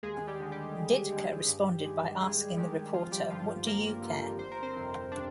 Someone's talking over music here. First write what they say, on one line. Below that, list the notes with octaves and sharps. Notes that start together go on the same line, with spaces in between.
Ditka responded by asking the reporter, what do you care?
D#2 G#3 G#4
G3 G4
D3 G#3
G3 G4
D#2
D3 G#3
G2
D#3 G#3
G2 G#3 G#4
D#3 G3 G#3 G4
G#1 F3 F4
G3 G4
G2 D3 F3 F4
G#1 A#3 A#4
G2 D3
G1 C5
A#4
C4 C5
F2 C3
D4 D5